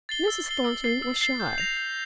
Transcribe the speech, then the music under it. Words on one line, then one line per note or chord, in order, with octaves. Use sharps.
Mrs. Thornton was shy.
A6 C7 G7
E6
A6 C7 G7
E6
A6 C7 G7
E6
A6 C7 G7
G6
A#6 F7
G6